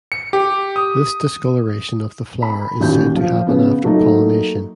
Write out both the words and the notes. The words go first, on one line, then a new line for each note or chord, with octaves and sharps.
This discoloration of the flower is said to happen after pollination.
C#7
G4
D#6
B5
A1 D#2 F#4 G6
F3
C#3 B3
F#3 A3 A#3 D#4